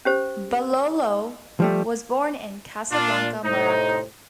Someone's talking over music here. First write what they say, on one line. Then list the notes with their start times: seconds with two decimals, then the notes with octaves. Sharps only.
Belolo was born in Casablanca, Morocco.
0.05 C#4 G4 C5
1.60 F3 G3 A3
2.92 A#2 D4 F4
3.44 A2 C3 D#4 C5